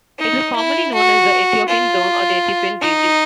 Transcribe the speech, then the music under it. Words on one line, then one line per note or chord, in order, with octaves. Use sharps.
It was formerly known as the Ethiopian Zone or Ethiopian Region.
D#4
E4
F#4
F4
D#4